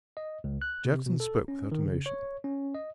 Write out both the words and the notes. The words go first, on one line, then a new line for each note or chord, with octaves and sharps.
Jackson spoke without emotion.
D#5
C#2
F#6
C3
B2
A4
C#4
D#3
C#3
C#5
C#4
D#5